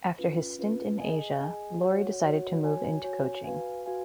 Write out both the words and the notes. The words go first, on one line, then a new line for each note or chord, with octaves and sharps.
After his stint in Asia, Laurie decided to move into coaching.
C#4 F4 B4
C#4 F4 B4
G#4 D#5 G#5
G#4 D#5 G#5
F#4 C#5 F#5
F#4 C#5 F#5
F#4 C#5 G#5
F#4 C#5 G#5
F#4 B4 F5 G#5
F#4 B4 F5 G#5